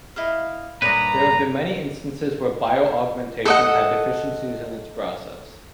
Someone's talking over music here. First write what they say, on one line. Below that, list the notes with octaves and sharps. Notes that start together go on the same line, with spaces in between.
There have been many instances where bioaugmentation had deficiencies in its process.
E4 D#5 F5
G2 A#2 B4 C#5 D5 A#5 D#6
A4 D#5 F#5